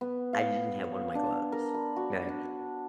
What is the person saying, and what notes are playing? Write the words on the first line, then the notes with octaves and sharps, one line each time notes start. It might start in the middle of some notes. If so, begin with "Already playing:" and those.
I didn't have one of my gloves. 'Kay?
B3
F5
C#5
D4
A#4
B5
F#4
D4